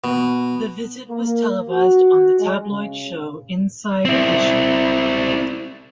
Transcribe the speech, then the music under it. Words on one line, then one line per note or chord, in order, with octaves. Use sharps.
The visit was televised on the tabloid show Inside Edition.
B2
A#3
F#4
G#3
C#3
C4 E4